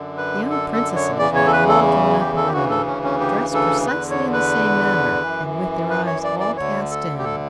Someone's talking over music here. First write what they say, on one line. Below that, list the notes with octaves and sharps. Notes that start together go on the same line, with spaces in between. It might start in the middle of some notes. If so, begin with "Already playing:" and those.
The young princesses were all drawn up in a row, dressed precisely in the same manner, and with their eyes all cast down.
Already playing: F#2 D3
B4
A4
A4
C#5
E2 C#3 E3 D5
C#5
A4
B4
A4
G4
A4
G4
D2 C#3 E3 F#4
A4
C#4
C#4
G4
A4
E2 D3 B4
C#5
B4
F#2 E3
B4
C#5
D5
D5
D2 D3 C#5
A4
G4
A4